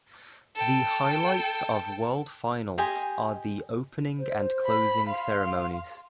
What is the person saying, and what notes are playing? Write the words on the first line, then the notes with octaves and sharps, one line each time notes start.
The highlights of World Finals are the opening and closing ceremonies.
A4 G5
G4 D#5 G#5 C6
C5
B5
F5 C6